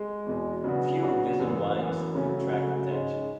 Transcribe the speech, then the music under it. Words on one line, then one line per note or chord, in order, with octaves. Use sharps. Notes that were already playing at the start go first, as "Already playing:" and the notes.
Few Visan wines attract attention.
Already playing: G#3
E2 B2 G#3
C#3 F#3 B3 D4 F#4
C#3 F#3 B3 D4 F#4
F#2 E3 B3
F#2 E3 B3
C#3 F#3 A3 C#4
C#3 F#3 A3 C#4
G#2 G#3 C#4